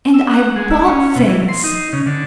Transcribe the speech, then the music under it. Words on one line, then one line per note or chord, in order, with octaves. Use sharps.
And I bought things!
E6
F#5
G#3
E4
C#4
B2
E3
C6
D#4
C#3
D3